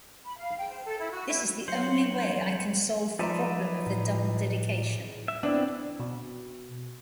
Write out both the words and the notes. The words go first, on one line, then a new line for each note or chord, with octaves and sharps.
This is the only way I can solve the problem of the double dedication.
B5
F5
G5
C5
A4
E4
F#4
E4
F#3 C5 C#5
F3 D#4 B4 D5 E5 A#5
A2
E5
B3 C4 D4 E4
B2